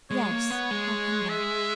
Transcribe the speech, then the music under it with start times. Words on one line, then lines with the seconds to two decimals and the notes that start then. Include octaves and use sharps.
"Yes--I'll come back."
0.11 G#3 C#5
0.31 A#3
0.50 B3
0.71 G#3
1.29 E5